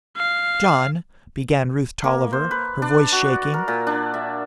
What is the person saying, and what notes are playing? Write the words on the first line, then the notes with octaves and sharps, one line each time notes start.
"John--" began Ruth Tolliver, her voice shaking.
F5
A#3
C5
B4
D4
F#4
A#4
A#2
D4
E5